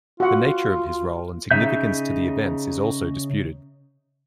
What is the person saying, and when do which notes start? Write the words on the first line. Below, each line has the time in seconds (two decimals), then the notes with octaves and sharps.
The nature of his role and significance to the events is also disputed.
0.20 F4 F#4 F#5
1.51 C#3 D#4 E5 G6